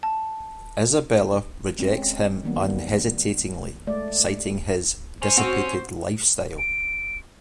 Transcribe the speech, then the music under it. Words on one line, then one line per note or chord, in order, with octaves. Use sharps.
Isabella rejects him unhesitatingly, citing his dissipated lifestyle.
A5
G#3 C4 C#4
D#3 F#3 G3 A#3 B3
G#3 A3 D5
C#4 C5
C4 F#4
D7